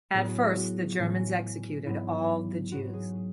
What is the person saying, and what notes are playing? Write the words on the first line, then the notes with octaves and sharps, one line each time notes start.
At first the Germans executed all the Jews.
A2 F#3 B3 G#4
F#4
G#4
F#4
A2 E3 A3 C#4
G#2 F#3 B3 E4
G#2 F#3 B3 F#4
F#4
G#4
G#4